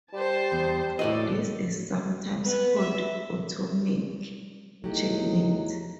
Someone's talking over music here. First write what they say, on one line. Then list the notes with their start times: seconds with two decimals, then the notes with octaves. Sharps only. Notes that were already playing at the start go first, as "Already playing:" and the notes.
This is sometimes called "atomic checkmate".
0.13 G3 C5 A5
0.52 E2
0.99 A2 F#4 A4 D5 D#5
2.44 B3
2.78 E5
4.84 E2 F#3 A3 D#4 G4